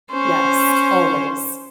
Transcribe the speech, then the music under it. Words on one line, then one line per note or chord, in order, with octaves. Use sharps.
Yes, always.
C#4 C5